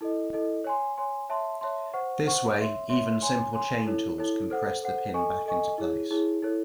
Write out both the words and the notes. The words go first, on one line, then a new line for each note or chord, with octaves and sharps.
This way, even simple chain tools can press the pin back into place.
E4 A4 D#5
E4 A4 D#5
C#5 G#5 C6
C#5 G#5 C6
C#5 E5 A5 C6
C#5 E5 A5 C6
C5 F#5 C#6
C5 F#5 C#6
C#5 E5 C6
C#5 E5 C6
C#5 G#5 C6
C#5 G#5 C6
E4 A4 C#5
E4 A4 C#5
A4 C5 F#5
A4 C5 F#5
A4 D#5 G#5 C#6
A4 D#5 G#5 C#6
E4 G#4 C#5
E4 G#4 C#5
E4 A4 C#5